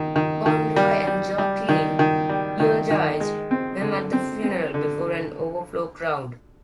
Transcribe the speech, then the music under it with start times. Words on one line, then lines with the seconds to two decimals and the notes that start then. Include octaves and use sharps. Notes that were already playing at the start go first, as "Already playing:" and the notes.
Conroy and Joe Klein eulogized him at the funeral, before an overflow crowd.
Already playing: D#3
0.16 D#3
0.46 D#3
0.76 G3
1.07 G3
1.38 G3
1.69 D#3
1.99 D#3
2.29 G3
2.60 D#3
2.91 D#3
3.20 G#3
3.51 C4
3.81 D3
4.13 C4
4.43 C4
4.74 D3